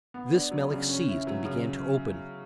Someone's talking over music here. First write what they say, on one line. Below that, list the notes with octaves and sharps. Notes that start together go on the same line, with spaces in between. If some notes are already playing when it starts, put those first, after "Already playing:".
This Melick seized and began to open.
B3
D4
F#3
C#3
C#4
E4
F#3
C#3